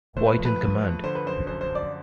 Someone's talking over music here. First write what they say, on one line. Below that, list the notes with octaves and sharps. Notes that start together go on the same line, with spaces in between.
White in command.
A3 C5
B4
F3
B4
F3
F3
D3 C5
B4
F#2 C5
F#2 C5
C5
F#2
D5